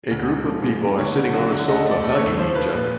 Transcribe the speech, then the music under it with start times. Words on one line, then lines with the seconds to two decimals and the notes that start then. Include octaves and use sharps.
A group of people are sitting on a sofa hugging each other.
0.11 D2
0.29 G#2
0.46 F3
0.63 G#2
0.81 G#2
0.98 D3 C#5
1.16 D3
1.34 F#3
1.51 D3
1.68 A3 D#5
1.86 A3
1.91 D5
2.04 A3
2.15 C#5
2.20 D#2
2.37 F3 C5
2.55 F3 B4
2.73 A#2 B4